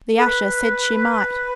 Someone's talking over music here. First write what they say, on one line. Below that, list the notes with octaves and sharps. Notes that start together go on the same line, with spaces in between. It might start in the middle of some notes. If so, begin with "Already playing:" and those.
The usher said she might.
A4
B4